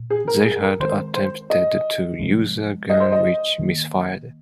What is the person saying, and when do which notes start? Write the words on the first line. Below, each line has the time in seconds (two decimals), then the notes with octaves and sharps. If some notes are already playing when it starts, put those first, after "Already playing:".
They had attempted to use a gun which misfired.
Already playing: A#2
0.10 G#4
0.28 A#4
0.45 G#4
0.62 A#4
0.80 D#3 G#3 C4 C5
1.15 C5
1.50 D#5
2.19 C3 F3 G#3 C4
2.90 D#5
3.00 C5
3.12 D#5
3.59 D#3 A#3